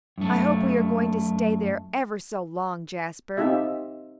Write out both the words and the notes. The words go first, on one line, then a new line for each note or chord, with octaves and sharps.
"I hope we are going to stay there ever so long, Jasper."
F#2 A3
C4 D#4 F4 G4 E5